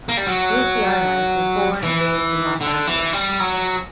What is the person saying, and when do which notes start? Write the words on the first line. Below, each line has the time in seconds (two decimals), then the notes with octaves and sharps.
Lucie Arnaz was born and raised in Los Angeles.
0.09 A#3
0.17 G3
0.27 F#3
1.83 E3
2.61 D3
2.87 E3
3.13 G3
3.40 F#3